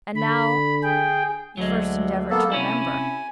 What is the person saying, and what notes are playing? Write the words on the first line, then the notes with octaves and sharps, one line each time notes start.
And now the first endeavor to remember.
D3 B5
G#4 G5
D2 F#3 G#3
A#3 B3 A4
C3 C#4 E4 G#5